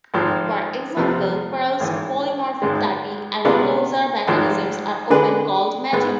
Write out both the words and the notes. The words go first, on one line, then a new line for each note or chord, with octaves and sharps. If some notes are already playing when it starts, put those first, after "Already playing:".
For example, Perl's polymorphic typing and closure mechanisms are often called "magic".
G#1 G#2 F3
F2 C3 F3 B3
G#1 G#2 E3
G#1 G#2 G#3
C3 G#3 B3 D4 F4
G#1 G#2 F3
D3 G#3 D4 G#4 B4
G#2 G#3 B3